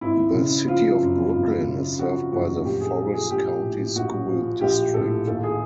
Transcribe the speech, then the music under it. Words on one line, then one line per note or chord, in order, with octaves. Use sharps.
The City of Brooklyn is served by the Forrest County School District.
G#1 E4
C#3
F3 F4
F#2
G#1 F4
C#3
F3 F#4
F#2 F#4
A#1 G4
G#4
F3 A4
G#4
A#1 G4
A2
A#1 F#4
F3
A#1 G4
A2 A4
D#2 A4
G#4